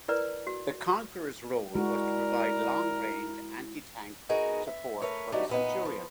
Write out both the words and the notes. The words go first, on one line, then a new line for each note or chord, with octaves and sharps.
The Conqueror's role was to provide long range anti-tank support for the Centurion.
E4 A#4 B4 D5 A#5
F#4
G#3 E4 F#4 A#4 D5
B3 D#4 F#4 G#4 A#4
E5
A3 A#4 B4 C#5
F#3 G3 A3 B3 D4 D#4
A#2 B3 D#4
F3